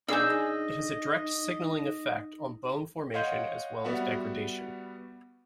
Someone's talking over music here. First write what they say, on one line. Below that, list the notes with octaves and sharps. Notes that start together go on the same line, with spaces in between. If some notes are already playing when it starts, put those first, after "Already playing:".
It has a direct signalling effect on bone formation as well as degradation.
D4 D#4 G#4 D#5 G#5 E6 G6
C#5 D#5 F5 F#5 C6 G6
G3 B3 F#4 E5 F#5